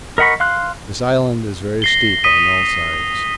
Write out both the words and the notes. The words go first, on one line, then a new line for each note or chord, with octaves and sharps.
This Island is very steep on all sides.
A#4 D#5 F#5 B5 C#6
F5 C6 F#6
A#6 C7 G7
D#6 B6 D#7